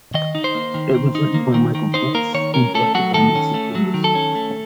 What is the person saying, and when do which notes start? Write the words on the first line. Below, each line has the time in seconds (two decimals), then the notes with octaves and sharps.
It was written by Michael Price and directed by Nancy Kruse.
0.14 D#3 D#5
0.35 D#4
0.44 C5
0.55 A#3
0.74 D#3
0.95 D#3
1.15 D#4
1.34 A#3
1.54 D#3
1.75 D#3
1.94 D#4 C5
2.15 A#3 A#4
2.34 D#3 C#5
2.54 C#4 A#4
2.75 A3 A4
2.94 F#3 F#4
3.14 D#3 A4
3.35 C#4
3.54 A3
3.75 F#3
3.94 D#3
4.04 A4
4.15 C#4
4.35 A3